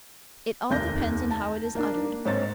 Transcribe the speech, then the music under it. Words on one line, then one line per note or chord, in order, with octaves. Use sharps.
It all depends on how it is uttered.
F1 D#2 G6 A#6
A5
A#3 D4
G#2 C4 C#5 A6